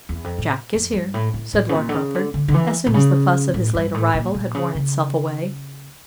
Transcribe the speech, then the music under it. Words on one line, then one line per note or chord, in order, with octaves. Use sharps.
"Jack is here," said Lord Rufford, as soon as the fuss of his late arrival had worn itself away.
E2
F2
A2
F2
G2
A2
A2
A2
C#3
A#2
D3
C#3
D3
D3
D3
E3
A#2
C#3
A2
G2
A2
A#2
A#2
C#3
C#3